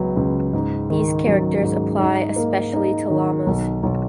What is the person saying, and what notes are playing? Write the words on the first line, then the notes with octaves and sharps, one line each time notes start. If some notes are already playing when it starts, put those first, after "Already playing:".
These characters apply especially to llamas.
Already playing: C#2 F#3 B3
C#2
G#2
D#3
F#3
G#2
D#4
A#3
D#4
D#3
B1
B1